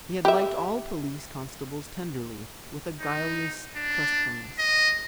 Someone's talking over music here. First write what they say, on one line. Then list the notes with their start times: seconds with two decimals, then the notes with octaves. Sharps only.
He had liked all police constables tenderly, with a guileless trustfulness.
0.25 G4 E5
3.01 D#4
3.76 D4
4.59 D#5